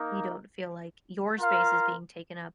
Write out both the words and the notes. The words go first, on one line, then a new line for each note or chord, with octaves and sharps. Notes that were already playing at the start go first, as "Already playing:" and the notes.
you don't feel like your space is being taken up
Already playing: A#3 D#4 A#4
F4 A#4 F5